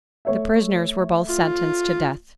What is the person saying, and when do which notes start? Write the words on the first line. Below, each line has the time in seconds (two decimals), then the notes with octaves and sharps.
The prisoners were both sentenced to death.
0.25 A3 C#5 E5
1.29 F4